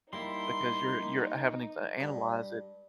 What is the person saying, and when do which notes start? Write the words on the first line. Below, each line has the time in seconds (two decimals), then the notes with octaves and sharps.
because you're you're having it to analyze it
0.13 G3 A#3 D#4 E4 C6
2.00 G2